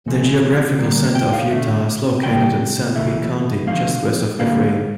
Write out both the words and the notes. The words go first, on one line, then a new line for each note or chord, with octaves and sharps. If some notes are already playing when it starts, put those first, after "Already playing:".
The geographical center of Utah is located in Sanpete County, just west of Ephraim.
C#3 F3 A3
D3 G3 A#3
G5
F5
D3 A3 E5
C#3 G3 A#3 G5
C#3 E3 A3 E5
D3 F3 A3 F5
D3 G3 A#3 F5